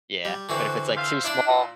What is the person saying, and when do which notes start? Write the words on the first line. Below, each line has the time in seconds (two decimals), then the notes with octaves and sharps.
yeah, but if it's, like, too small,
0.25 G3
0.49 D3 E3 C4 F#4
0.96 C5 E5 F5
1.24 D4 E4 D5 E5
1.48 A#2